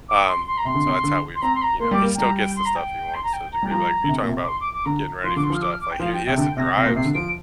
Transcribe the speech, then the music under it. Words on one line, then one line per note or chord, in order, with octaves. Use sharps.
Um, so that's how we've, you know, he still gets the stuff he wants to a degree, but, like, you're talking about getting ready for stuff, like, he he has to drive soon.
D6
C6
C6
A#5
C3 C6
D3
C3
D3
C6
C4 A#5
C6
A#5
A#3 C6
G3 D6
A#3
G5
G3 A#5
G5
C6
A#5
G5
C6
A#5
G5
A#5
G3 G5
F3 A#5
D3
C3
A#2
C3
D6
C6
D6
D6
D3 A#5
F3 C6
D3 D6
C6
F3 F6
D6
F6
D6
G5
F3 F5
G5
C3 G5
D3 G5
C3 A#6
C3 A#6
A#2
C3 C7
D3
F3 D7